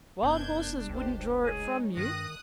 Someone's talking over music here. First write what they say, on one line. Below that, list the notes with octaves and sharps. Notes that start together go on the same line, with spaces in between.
Wild horses wouldn't draw it from you?
F1 F#2 B3 D4 G6 G#6
C#2 G4 C5
G#3 C#4 D#4 G#4
G2 D#3 D#6 F#6 A#6